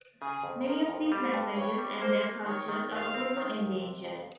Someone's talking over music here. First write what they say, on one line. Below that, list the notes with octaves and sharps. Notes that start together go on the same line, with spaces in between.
Many of these languages and their cultures are also endangered.
C#3 G#4
F2
F3 A#4
F2
G3 C5
G2
G2 C#5
G3
A#3 C5
A#3
D#3 C#5
D#3
D#2 F5
C4
D#3
D#2
C3
F2